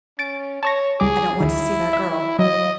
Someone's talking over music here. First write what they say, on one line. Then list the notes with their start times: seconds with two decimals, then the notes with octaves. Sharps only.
I don't want to see that girl.
0.19 C#4 A6 D7
0.63 C#5 A5 C#6 A#6
1.00 C#2 G3 G#4 D6
1.40 D2 D#3 E4
1.93 E5
2.39 F#3 D#5